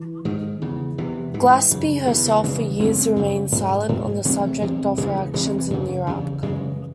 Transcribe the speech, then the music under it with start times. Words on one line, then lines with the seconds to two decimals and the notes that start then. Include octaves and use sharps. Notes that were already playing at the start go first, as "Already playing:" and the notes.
Glaspie herself for years remained silent on the subject of her actions in Iraq.
Already playing: E3
0.25 G#2 D#3
0.62 E2 C#3
0.98 E2 C3 E3
1.34 G#2 E3
1.71 F#2 C#3
2.07 E2 C#3 E3
2.26 E3
2.44 E2 C#3 E3 G#3
2.79 F#2 C#3 G#3 C4
2.98 G#3 C4
3.16 F#2 C#3
3.52 G#2
3.89 G#2
4.25 E2 C3 F#3 A3
4.62 E2 C3
4.98 E2 C#3 E3 G#3
5.34 E2 C3 E3 G#3
5.46 D#3
5.58 E3
5.70 F#2 C#3
6.07 E2 C#3
6.42 F#2 C#3 E3 G#3